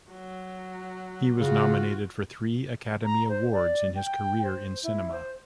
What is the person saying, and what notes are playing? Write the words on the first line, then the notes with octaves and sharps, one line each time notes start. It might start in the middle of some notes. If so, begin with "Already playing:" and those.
He was nominated for three Academy Awards in his career in cinema.
F#3
C#3 F4 F#4
A#5
C5
D5
G5
C5
E4
C5